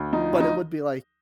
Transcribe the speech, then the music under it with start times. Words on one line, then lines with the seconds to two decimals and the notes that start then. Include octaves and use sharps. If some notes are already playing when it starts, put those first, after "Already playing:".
but it would be like
Already playing: D2
0.13 F3 D#4
0.33 D2
0.40 D#4